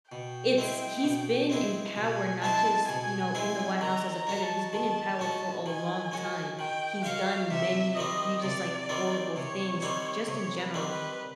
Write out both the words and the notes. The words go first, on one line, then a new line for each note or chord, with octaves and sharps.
it's he's been in power not just, you know, in the White House as a president. He's been in power for a long time. He's done many egregious, like, horrible things, just in general.
B2 G5
G#3 C4 E4 G#4
B2
G#3 C4 E4 G#4
B2 G#5
G#3 C4 E4 G#4 A5
B2 G#5
G#3 C4 E4 G#4
D#3 A#5
A#5
G#3 C#4 F#4
A5
D#3 A5
G#3 C#4 F#4
D#3 G#5
G#3 C#4 F#4
D#3 G5
G#3 C#4 F#4 F5
C3 E5
D#3 G3 C4 D#5
C3 D5
D#3 G3 C4
C3 C#5
D#3 G3 C4
C3 C#5
B4
D#3 G3 C4
B4